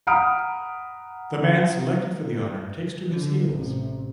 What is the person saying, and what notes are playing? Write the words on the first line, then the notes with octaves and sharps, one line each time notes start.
The man selected for the honor takes to his heels.
F#5 A#5 B5 D#6 F6 D7
D3
A1 C3